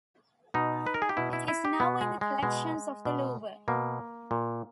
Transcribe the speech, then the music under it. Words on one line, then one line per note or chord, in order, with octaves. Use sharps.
It is now in the collections of the Louvre.
B2 D#4
B4
A#4
G#4
G4
B2 E4
E4
E4
G4
B2 B3
G#3
G#3
B2 G#3
B2
B2 A#3
A#2